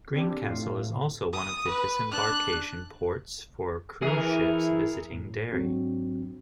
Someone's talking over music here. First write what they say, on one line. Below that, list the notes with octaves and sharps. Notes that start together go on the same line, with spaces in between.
Greencastle is also one of the disembarkation ports for cruise ships visiting Derry.
C4 D4 G4
A2 F4
D#6
B4
D4 F#6
E3 G#4 A#4
F#2 A2
G#2 F#3 C4 D4 F#4